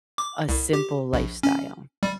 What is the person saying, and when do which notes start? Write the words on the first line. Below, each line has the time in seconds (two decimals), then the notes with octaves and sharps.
a simple lifestyle.
0.18 D6
0.49 C2
0.73 G4
1.13 A#1
1.43 C#4
2.03 G3